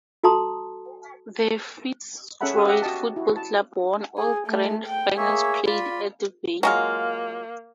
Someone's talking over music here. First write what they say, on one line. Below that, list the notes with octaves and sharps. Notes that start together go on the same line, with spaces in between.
The Fitzroy Football Club won all grand finals played at the venue.
F#4 A4 A5 A#5 C6 D#6
C#4 G#4 A4 E5 F#5 B5
G4 A4 F5 D#6
G4 D#5 E5 F#5
F#4 D#5 A5
E4 F#4
A5
G#4
A3
G5
A#3 G#4 C#5 E5
F4 D5 B5
F#3 G#3 A#3 F4